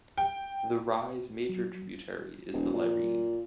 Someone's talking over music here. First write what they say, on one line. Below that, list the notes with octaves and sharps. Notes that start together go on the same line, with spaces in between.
The Rye's major tributary is the Lyreen.
G5
F#3
E1
A#2